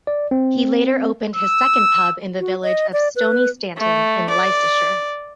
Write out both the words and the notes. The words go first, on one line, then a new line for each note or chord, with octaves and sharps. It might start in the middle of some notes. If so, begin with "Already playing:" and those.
He later opened his second pub in the village of Stoney Stanton in Leicestershire.
D5
C4
E6
F#4
D#5
D5
B4
A3
D5